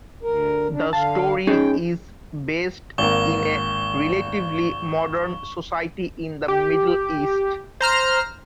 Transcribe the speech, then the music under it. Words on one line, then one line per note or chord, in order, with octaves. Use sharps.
The story is based in a relatively modern society in the Middle East.
D2 A#4
D4
D3 F5 A5
C#4 D#4 G#4 G5
G#1 A#3 C#6 G7
G4
C5 A#5 F6